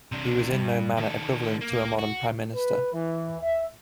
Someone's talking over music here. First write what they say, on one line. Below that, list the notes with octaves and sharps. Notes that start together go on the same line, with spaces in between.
He was in no manner equivalent to a modern Prime Minister.
C3 D4
D2 G2
D#3 A4
A#3
F#4
B4
E3
E5